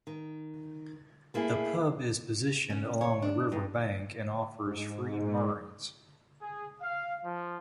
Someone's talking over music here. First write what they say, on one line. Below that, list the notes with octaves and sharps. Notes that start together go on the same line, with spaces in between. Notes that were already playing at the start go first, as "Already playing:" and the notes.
The pub is positioned along the river bank and offers free moorings.
D#3
A3 A#3 E4 G#4
C#4
C#5
D4
G2
G#2
G#4
F5
F3